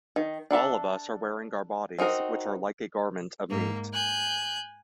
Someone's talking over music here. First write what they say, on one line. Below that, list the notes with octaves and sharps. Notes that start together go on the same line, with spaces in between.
All of us are wearing our bodies, which are like a garment of meat.
D#3
D4 A4 D5 E5
C4 D#4 F#4 A#4
G#2 A#3
G#5 F#6 G6